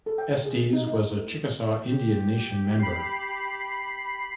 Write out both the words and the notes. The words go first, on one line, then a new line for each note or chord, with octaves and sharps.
Estes was a Chickasaw Indian Nation member.
A4
G5
G#4
D#4
D#4
A3
G4
B5 C7